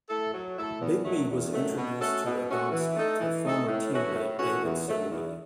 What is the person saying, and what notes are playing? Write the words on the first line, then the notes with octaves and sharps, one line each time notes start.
Bigbie was introduced to Radomski through former teammate David Segui.
A3 E4 A4
F#3
A3 E4 A4
E2
D#3 F#3 A3
E2
D#3 F#3 A3
B2
A3 C#4 F#4 A4
B2
A3 C#4 F#4 A4
E3
A3 D#4 A4
E3
A3 D#4 A4
A2
E3 A3 C#4 F#4
A2
E3 A3 C#4 F#4
E2
D#3 F#3 A3
E2